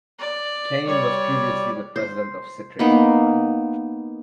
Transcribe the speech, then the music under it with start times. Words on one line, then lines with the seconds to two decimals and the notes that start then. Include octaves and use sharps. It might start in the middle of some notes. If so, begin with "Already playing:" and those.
Caine was previously the president of Citrix Online.
0.19 D5
0.87 G3 C#5 D5
1.96 C5
2.79 A#3 B3 D#4